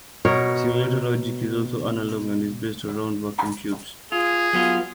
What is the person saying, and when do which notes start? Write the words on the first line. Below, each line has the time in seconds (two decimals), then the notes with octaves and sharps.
Simulator logic is all analog and is based around vacuum tubes.
0.25 B2 A#4 C#5
4.12 F4 G#4
4.53 F#3 B3 F4